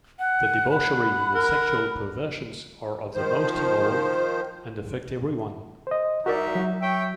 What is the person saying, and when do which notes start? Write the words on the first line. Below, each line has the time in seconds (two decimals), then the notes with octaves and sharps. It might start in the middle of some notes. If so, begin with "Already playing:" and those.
The debauchery and the sexual perversions are of the most immoral, and affect everyone.
0.19 F#5
0.71 F#5 B5
1.35 A#4 F#5
3.15 D#3 F3 C5
5.87 C5 D#5
6.26 C2 D#4 F#4 A#4 D5 E5
6.55 F#3 F#4
6.81 C#5 E5 G5